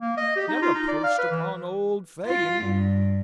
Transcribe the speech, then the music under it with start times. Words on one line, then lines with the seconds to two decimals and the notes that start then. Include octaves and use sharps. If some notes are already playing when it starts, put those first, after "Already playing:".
Never poached upon old Fagin!
0.01 A#3
0.17 D#5
0.36 G4
0.48 D#4
0.62 F4
0.75 D#4
0.88 D5
1.04 F5
1.19 B4
1.31 E3
2.27 F4
2.64 G2